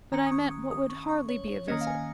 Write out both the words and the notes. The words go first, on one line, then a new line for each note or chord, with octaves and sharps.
But I meant what would hardly be a visit.
D#3 C#4 A#5
D#6
C#6
D#6
D#6
C#6
C#6
C#5
C#5
D#3 A#3 C#4 D#5
F5
G#5